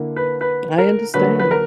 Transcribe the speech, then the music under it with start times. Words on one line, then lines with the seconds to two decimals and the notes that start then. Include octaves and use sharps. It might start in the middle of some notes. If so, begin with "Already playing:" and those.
I understand.
Already playing: D3 A#3 E4
0.16 B4
0.41 B4
0.78 A#4
1.14 D3 F#3 A#3 B4
1.39 B4
1.51 A#4